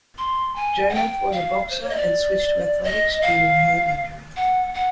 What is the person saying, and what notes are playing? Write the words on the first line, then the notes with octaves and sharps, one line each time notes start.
Jonath was a boxer, and switched to athletics due to a hand injury.
C6
G#5
F#5
G5
F5
C5
C#5
D#5
D5
D#5
F5
F#5
F#5